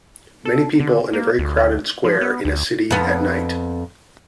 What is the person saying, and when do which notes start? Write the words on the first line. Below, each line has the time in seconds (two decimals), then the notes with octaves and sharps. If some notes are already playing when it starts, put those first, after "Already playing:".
Many people in a very crowded square in a city at night.
0.45 A4
0.80 D3
1.13 A#3
1.39 D2
2.04 F3
2.21 B3
2.45 D2
2.91 F2 B3